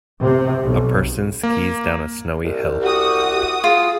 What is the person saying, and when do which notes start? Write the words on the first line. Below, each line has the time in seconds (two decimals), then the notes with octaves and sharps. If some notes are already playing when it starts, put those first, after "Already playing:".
A person skis down a snowy hill.
0.22 C3
0.62 B1
1.43 A#3
2.45 C2
2.81 F#4 G4 D#6
3.64 F4 G#4